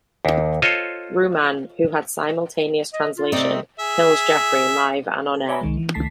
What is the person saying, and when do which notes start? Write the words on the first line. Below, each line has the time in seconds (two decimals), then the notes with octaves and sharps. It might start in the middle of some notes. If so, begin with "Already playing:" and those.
Rumann, who had simultaneous translation, kills Geoffrey live and on-air.
0.25 D#2
0.62 F4 A4 C5 C#5 D#5
2.93 D#5
3.17 F4
3.32 C3 A3 C4 D#4 D5
3.79 G#4 E5
5.34 A4
5.49 C#5 D5 E5 G#5 A#5 B5
5.61 C2 D#3 G#3
5.77 E3
5.94 C#2 D#3 A3 A5 B6 C7